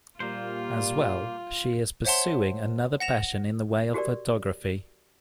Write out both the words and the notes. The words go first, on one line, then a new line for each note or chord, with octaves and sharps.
As well, she is pursuing another passion in the way of photography.
A#2 G3 A#3 F4 C5
C5 C#5 E5 F#5 A5 C6
F#5 A#6 E7 F7
F#4 G4 A#4 D5